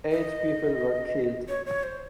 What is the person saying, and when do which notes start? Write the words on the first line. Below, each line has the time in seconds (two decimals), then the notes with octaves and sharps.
Eight people were killed.
0.11 D#5
1.49 C#5
1.66 C#5
1.83 C5